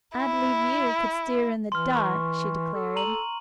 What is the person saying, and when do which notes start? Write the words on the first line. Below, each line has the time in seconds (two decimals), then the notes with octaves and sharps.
"I believe you could steer in the dark," she declared.
0.17 E4
1.72 E3 C6 F6
1.96 C#6
2.74 A4
2.96 A#5 D#7 F#7